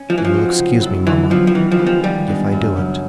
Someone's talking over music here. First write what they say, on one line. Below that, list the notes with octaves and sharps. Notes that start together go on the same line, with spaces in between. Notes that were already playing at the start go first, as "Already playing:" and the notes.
You will excuse me, mamma, if I do it.
Already playing: C#4
F3 G#3
E3
F3
C4 D#4 F#4
C#3
F#3 B3 E4 A4
D3 E3
F3 G3 B3 E4
F3
D#3 E3
F3
G#3 B3 D#4 G4
F3
F3 G3
G#3 B3 D4
F#2
C#3 F#3